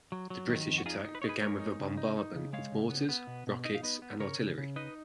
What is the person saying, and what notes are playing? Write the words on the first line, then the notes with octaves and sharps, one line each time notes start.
The British attack began with a bombardment with mortars, rockets, and artillery.
F#3
F#3
D#3
F2
F#4
D#4 F4 G#4
D#4
B4
D#4 C#5
G#4 B4
G#3 A#4 C#5
D#4
C#3
D#4
D#4
C#3
G#3 C#5 F5
C#3
B3
B3
B2
B2
D#4 D#5
F5
B3 B4 D#5
B3
C#3 A#4 C#5
C#3
C#3
D#4 B4 D#5